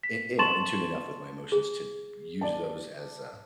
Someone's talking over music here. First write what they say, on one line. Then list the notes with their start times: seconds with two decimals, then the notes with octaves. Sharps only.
you you know, in tune enough with my emotions to use those as, uh,
0.03 B6
0.39 A5 C6 C#6 A6 E7 F#7
1.52 G#4
2.41 D5 A5